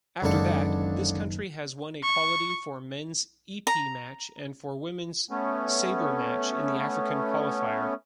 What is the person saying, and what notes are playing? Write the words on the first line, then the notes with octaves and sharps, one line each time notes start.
After that, this country has won a quality for men's epee match and one for woman's saber match in the African Qualifier.
F#1 C#2 F#2 D3 D#3 A4
C#6
A#5
A3 B3 C#4